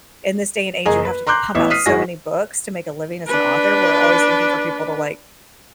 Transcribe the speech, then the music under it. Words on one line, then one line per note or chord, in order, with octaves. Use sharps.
in this day and age, you have to pump out so many books to make a living as an author. We're always looking for people to, like,
F#1 G#4 D#5 G#5 A#5
B4
A#5 C6 D6 F#6 G6
A1 E3 B3 E5
D#6 F6 B6 C7 D#7
G#1 G#3 E4 F#4 G#5 A#6
D4 B4